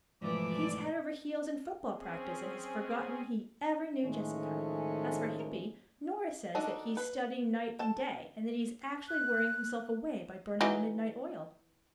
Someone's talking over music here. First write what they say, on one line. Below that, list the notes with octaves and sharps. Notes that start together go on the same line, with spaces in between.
"He is head over heels in football practice and has forgotten he ever knew Jessica. As for Hippy, Nora says that he is studying night and day, and that he is actually wearing himself away by burning midnight oil."
G#2 B2 E3 F3 A3 D5 D6
C4 C#4 G#4
A2 D#3 F3 G#3 A3 C#4
D4 D#4 F#4 A4
B4
A4 A5
F#6
E3 F#3 D#4